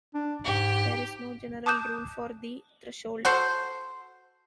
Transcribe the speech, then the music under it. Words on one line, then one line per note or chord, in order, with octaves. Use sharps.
There is no general rule for the threshold.
D4
G#2 G4
A5 D6 D#6 F#6 G6 E7
F#4 A4 C5